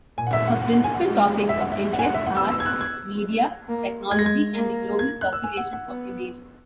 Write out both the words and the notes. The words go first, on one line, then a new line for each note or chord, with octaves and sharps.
Her principal topics of interest are media, technology, and the global circulation of images.
A#2 G#5
F#5
E5
F#5
F#5
F#5
G#5
F#5
G#3
E5
F#5
E5
F#5
G#5
F#5
E5
F#5
B3 E6
E6
G#6
F#6
G#6
A#3
G#3 G#6
A#6
G#6
A#3
G#6
F#6
E6
G#5
F#5
F#5
B3